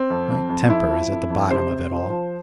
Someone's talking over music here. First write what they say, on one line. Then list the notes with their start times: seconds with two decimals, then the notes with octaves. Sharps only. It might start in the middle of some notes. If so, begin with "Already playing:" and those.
My temper is at the bottom of it all.
Already playing: C4
0.10 F2
0.30 F2
0.49 F2
0.69 F2 E4
0.90 F3
1.10 F2
1.30 F2
1.51 C3 C5
1.70 C3
1.91 F3
2.10 F3